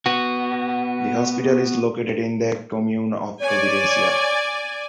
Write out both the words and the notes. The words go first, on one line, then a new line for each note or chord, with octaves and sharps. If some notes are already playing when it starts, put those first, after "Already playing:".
The hospital is located in the commune of Providencia.
B3 F#4
C#5 D5 G#5